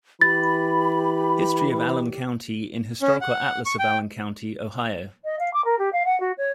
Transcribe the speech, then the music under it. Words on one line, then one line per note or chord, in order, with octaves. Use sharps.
"History of Allen County in Historical Atlas of Allen County, Ohio".
E3 G4 B5 A6
C#4
F#5
C#6
G5
D#5
F5
D6
A#4
G4
F5
F#5
F#4
C#5